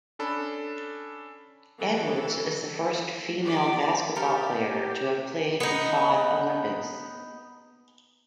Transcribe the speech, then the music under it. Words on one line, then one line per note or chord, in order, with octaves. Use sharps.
Edwards is the first female basketball player to have played in five Olympics.
C#4 D4 A4 B5
E3 A4
A4
G4 D5
G4 A4 A#4 G5
B3 D#4